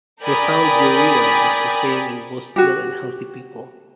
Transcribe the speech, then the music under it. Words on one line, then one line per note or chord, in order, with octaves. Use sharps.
He found urea was the same in both ill and healthy people.
A#4 D5 G5 G#5 B5 D#6
F#4 G4